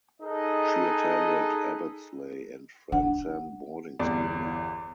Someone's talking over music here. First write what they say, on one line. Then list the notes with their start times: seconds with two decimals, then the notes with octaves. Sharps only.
She attended Abbotsleigh and Frensham boarding school.
0.21 D#4 G#4 A4 B4 D#5
2.92 D4 F#5
3.99 G1 E2 D5